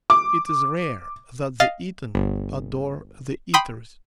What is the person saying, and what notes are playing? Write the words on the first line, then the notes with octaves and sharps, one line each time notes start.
It is rare that the eaten adore the eaters.
D6
D#5 F5 A6
G1
G5 B5 C6 D#6